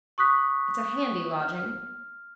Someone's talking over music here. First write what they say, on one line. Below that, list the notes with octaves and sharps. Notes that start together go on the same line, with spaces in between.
It's a handy lodging.
C#6 D#6 F#6 B6
F6